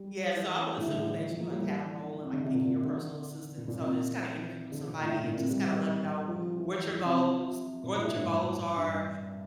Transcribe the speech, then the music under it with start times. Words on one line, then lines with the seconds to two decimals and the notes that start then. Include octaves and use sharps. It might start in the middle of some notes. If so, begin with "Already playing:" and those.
Yeah, so I would assume that you, like, had a role in, like, picking your personal assistant, so, just, kinda, interview with somebody and, just, kinda, let them know what your goals what your goals are,
Already playing: G3
0.35 E3
0.77 A2
0.88 D3
0.99 E3
1.29 F3
1.40 A#3
1.51 G3
1.61 E3
2.23 C3
2.33 D3
2.44 C3
2.54 A#2
2.70 A#2
2.85 D3
3.58 A#2
3.68 A#2
3.78 C3
4.72 D3
4.87 A#2
5.03 A2
5.13 A2
5.24 A#2
5.35 C3
5.49 G3
5.65 G3
6.28 F3
6.58 E3
6.90 F3
7.05 C3
7.83 A#2
7.99 A2
8.15 G2
8.77 G2